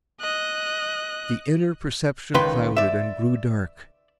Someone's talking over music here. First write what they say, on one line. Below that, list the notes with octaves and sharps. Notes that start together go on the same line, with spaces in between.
The inner perception clouded and grew dark.
D#5 F#6
C#2 D#3 B4 C6
D5 E5